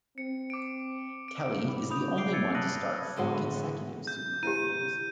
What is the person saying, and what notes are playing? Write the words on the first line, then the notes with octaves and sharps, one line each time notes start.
Kelly is the only one to start four consecutive Super Bowl games.
C4 C#7
D6 D7
D7
B5 D6
B5 D#6 G6 F7
D6 C7 D7 F7 G7
E6 G#6 A6 C#7 D#7
A5 D#6 F#6 A#6 D#7 F#7
A2 D3 G#3 A#3 B3
G6
E4 G4 D#7